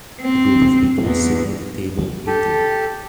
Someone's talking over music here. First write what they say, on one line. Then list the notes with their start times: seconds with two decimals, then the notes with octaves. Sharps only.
A group of people sitting at a table eating.
0.20 C4
1.02 E2
2.27 G4 A4